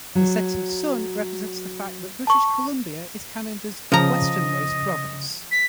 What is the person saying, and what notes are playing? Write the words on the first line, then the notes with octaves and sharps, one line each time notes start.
The setting sun represents the fact that British Columbia is Canada's westernmost province.
F#3
A5 C#6
C#3 F3 D#5 A#5
B6